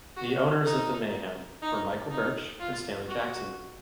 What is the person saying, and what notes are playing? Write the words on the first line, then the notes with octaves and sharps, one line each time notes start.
The Owners of the Mayhem were Michael Burtch and Stanley Jackson.
F#4
D#4
D#4
D#4
F4
F#4